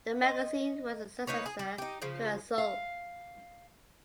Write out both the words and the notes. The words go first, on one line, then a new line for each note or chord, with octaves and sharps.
The magazine was the successor to "Azul".
D#5
A#3 D#4 B4 C#5
G#4
G3
D#4 G4
C#3 F3
F5